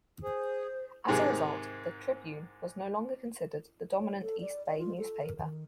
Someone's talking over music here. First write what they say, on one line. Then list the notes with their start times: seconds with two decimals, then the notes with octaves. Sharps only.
As a result, the "Tribune" was no longer considered the dominant East Bay newspaper.
0.23 G#4 C5
1.08 G#2 C3 D#3 G#4
3.97 C#5
4.22 A4
4.41 D5
4.66 D5
4.78 F4
4.98 A4
5.22 A#4
5.37 D#3